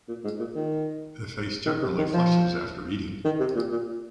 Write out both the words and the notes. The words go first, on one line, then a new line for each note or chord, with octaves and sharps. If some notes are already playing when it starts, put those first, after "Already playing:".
The face generally flushes after eating.
A#2
G#2
A#2
D#3
D#3
C3
D#3
F3
D#3
C3
A#2
A#2